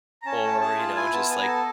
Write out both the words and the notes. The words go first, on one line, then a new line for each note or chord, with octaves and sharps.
or, you know, just, like,
A#5
C#4 A5
A3
G#4 A5
F4
E4 G#5
B3 A5
B3 G#5
A#5
A4 A5